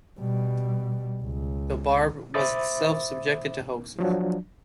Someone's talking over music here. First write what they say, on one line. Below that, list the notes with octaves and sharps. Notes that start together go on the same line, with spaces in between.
The "Barb" was itself subjected to hoaxes.
B2 G3
C#2
C5 E5 B5 D6 D#6 A6
F3 F#3 D4